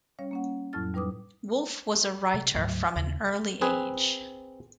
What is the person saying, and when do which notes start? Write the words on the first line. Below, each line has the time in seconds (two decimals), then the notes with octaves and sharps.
Wolfe was a writer from an early age.
0.19 G3 C#4 C#5 F5
0.31 A#3 C#4 F#5
0.73 F2 A2 F#3 E4 F6 A6
0.94 G3 D#4 B4 D6 D#6
2.34 C3
2.55 D2 G#2 F#3
2.96 D#2 C#3
3.61 C4 G#4 B4